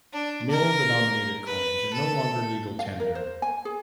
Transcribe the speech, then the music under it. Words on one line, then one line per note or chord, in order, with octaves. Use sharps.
Mil-denominated coins are no longer legal tender.
D4
A#4
B4
A4
F5
A#4
C5
G#5
G#4